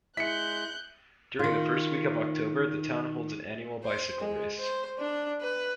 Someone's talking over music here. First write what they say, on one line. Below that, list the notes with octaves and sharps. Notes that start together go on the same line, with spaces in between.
During the first week of October, the town holds an annual bicycle race.
G#3 E4 F#6 G6 B6 C#7
D#3 F4
C5
G#3
C5
D4
B4